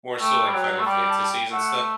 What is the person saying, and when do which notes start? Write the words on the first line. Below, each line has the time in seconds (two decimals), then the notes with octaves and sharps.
more, so, like, Final Fantasies and stuff.
0.20 A3 G5
0.47 G3
0.54 F#3
0.79 A3
0.86 G3 G5
1.08 A5
1.29 G5
1.52 A3 F#5